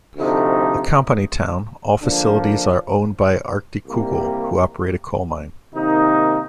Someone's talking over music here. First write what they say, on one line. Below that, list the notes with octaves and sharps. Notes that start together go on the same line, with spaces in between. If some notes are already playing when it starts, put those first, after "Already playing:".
A company town, all facilities are owned by Arktikugol, who operate a coal mine.
D2 C3 F3 A3 D#4
D3 F3 A#3 D4
C2 C3 G3 A#3
C3 D#3 A#3 D#4